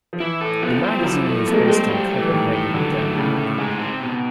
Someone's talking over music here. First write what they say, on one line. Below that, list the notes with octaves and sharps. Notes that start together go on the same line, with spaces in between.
The magazine was based in Copenhagen, Denmark.
F3
E3 E4
A4
F3 B3
C5
F3
F#3 E4
A4
A3 B3
G#3
G3
G#3 C5
F#3 G3
A3
E3
A2 D#3
A2
D3 F#3
A3
A2 C#3
A2
G#2 G#3
C4
B2